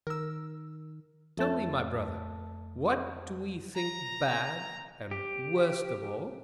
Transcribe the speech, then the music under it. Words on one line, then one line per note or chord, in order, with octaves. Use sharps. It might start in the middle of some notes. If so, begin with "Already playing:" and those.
Tell me, my brother, what do we think bad, and worst of all?
D#3 A#4 E6
F2 A3 A5
A#5
G4